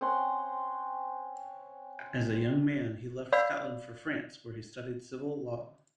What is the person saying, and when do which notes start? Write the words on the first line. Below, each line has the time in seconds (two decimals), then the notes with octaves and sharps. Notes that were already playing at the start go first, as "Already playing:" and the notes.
As a young man, he left Scotland for France, where he studied civil law.
0.01 C4 C#4 F#5 C6
3.32 C#5 D5 F5 F#5 B5 E6